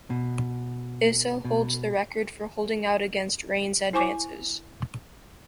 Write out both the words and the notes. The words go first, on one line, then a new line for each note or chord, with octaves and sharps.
Issa holds the record for holding out against Rayne's advances.
B2
B2
E4 C5 G#5 C#6 D6